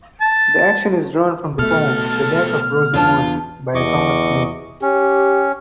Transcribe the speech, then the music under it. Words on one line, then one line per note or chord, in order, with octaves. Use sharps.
The action is drawn from the poem "The Death of Rosamond" by Thomas May.
A5
B1 B2 A3 A4 F6
E2 D4 F4 A5
E2 D#5 C#6 D6
C#4 G4